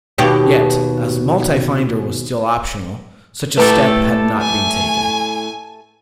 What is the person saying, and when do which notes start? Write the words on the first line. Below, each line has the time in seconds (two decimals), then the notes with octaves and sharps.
Yet, as MultiFinder was still optional, such a step had not been taken.
0.18 D#2 B2 G4
3.58 A2 A3 G4 A4 B4 A#5
4.41 G#5